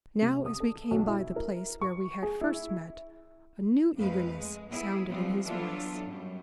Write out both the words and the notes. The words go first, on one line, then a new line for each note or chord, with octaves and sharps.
Now, as we came by the place where we had first met, a new eagerness sounded in his voice.
C3
D#6
A4
B1
E4
A#4
C#6
G#4
E4
F2 F3 G#3 A3 B4 F5
G#3
B3 E4 G#4
F3 G3 G#3 B3 C4 F4
E3 F#3 B3 D4 F4 A4
F#2 G3